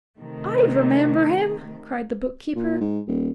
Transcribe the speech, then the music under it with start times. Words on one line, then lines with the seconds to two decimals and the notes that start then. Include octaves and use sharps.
"I remember him!" cried the bookkeeper.
0.19 C3 D#3 A3
2.55 A#2
2.81 G#2
3.07 D#1